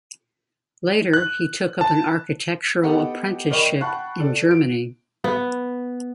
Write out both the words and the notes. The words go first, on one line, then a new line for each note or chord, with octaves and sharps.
Later he took up an architectural apprenticeship in Germany.
F#6
A5
B3 G4 A4 D#5 F#5 G5
A#4 D5 D#5 G5 B5 C#6
C7
F#5 G5 A5 B5 C#6 F#6
A4 D5
D7
B3